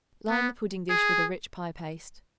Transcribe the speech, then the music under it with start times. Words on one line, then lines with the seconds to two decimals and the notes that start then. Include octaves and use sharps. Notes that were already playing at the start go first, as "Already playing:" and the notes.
Line the pudding-dish with a rich pie-paste.
0.30 B3
0.90 G#4